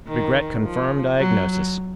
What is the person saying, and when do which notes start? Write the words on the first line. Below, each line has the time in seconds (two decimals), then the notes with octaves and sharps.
Regret confirm diagnosis.
0.08 D#3
0.63 F3
1.19 F#3